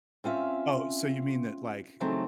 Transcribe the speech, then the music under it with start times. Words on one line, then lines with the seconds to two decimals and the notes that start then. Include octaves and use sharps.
Oh, so you mean that, like,
0.24 C4 C#4 F4 E5
2.00 C#3 E3 F#3 A3 C4 D#4